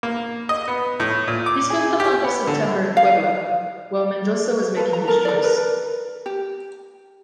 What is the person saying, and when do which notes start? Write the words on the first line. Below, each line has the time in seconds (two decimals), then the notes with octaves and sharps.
He spent the month of September in Puebla, while Mendoza was making his choice.
0.03 A#3
0.49 D#5
0.68 B3
1.00 A2
1.28 A#2
1.46 D6
1.70 G#4
2.00 G4
2.24 B3
2.47 D3
2.97 F5
4.76 A4 B4 F5
4.93 A#5
5.08 A4 A#4 A#5
5.25 D5 A#5
5.43 A#4 B4
6.26 G4